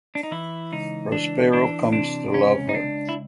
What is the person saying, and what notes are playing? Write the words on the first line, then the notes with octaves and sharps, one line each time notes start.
Prospero comes to love her.
D4
D#4
E3 E4
C#2 D#4
E3 D4
E3 D4
C3 D4
C#2 C#4
D#4
C#2 D4
E4